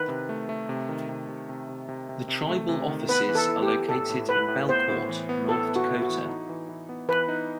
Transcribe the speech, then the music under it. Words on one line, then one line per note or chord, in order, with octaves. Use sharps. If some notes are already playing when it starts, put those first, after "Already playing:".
The tribal offices are located in Belcourt, North Dakota.
Already playing: D#3 B4
C3
A3
A3
C3
D#3
C3
C3
C3
C3
C3
C3
C3
A3
C3
D#3
B3 B4
E3
A4
E4
G4
B3
A2 A4
A2
E4 B4
A2
B3 C5
A2
E3
B3
A2 A4
B3
F#4
E4
F#4
E3
D#4
E3
E3
B3
E3 B4
D#4